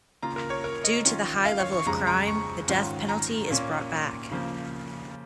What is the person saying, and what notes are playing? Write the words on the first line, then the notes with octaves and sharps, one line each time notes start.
Due to the high level of crime, the death penalty is brought back.
C#3 A#3 F4 A#5
A#4
C#5
A#4
D#5
D#3 C#4 F4
F5
C#5
C#6
F2 C#3 G#3 A#5
A#5
C#6
G#2 D#3 C#4 F4
A#5
A#2 A#3 C#4
C#3 F3 A#3